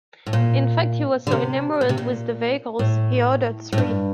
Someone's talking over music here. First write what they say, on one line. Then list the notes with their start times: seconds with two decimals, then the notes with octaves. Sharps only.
In fact, he was so enamoured with the vehicles, he ordered three.
0.26 A2
0.33 A#2
1.27 D3
1.31 C3
1.81 A#2
1.89 C3
1.98 A#2
2.79 A2
3.72 A2
3.78 G2